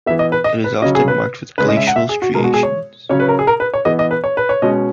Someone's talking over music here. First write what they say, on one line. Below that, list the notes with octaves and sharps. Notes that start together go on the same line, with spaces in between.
It is often marked with glacial striations.
E3 B3 E5
D#5
B4
D#5
B4
C#3 F#3 C#4 D#5
G#4
B4
C#3 G#3 C#4 B4
D#5
E5
F#5
E5
G#4
F#4
B2 G#3 B3 A#4
F#4
G#4
C#5
C#3 F#3 C#4 C#5
B4
A#4
G#4
A#4
B4
C#5
E3 B3 D#5
D#5
B4
C#5
B4
C#5
B2 G#3 C#4 D#5